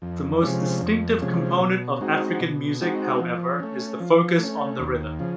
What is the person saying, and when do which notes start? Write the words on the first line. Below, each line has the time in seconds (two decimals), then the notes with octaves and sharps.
The most distinctive component of African music, however, is the focus on the rhythm.
0.02 F2
0.42 C3 F3 G#3 C#4
0.81 F2
1.21 C3 F3 G#3 C#4
1.60 B2
2.01 G#3 C4 D#4 F#4
2.40 B2
2.80 G#3 C4 D#4 F#4
3.20 F3
3.60 A3 C#4
4.00 F3
4.39 A3 C#4
4.79 D#2
5.19 C#3 F3